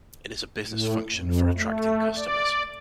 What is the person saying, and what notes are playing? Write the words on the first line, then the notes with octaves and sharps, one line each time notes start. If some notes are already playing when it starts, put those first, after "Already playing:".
It is a business function for attracting customers.
A2
F2
A3
D5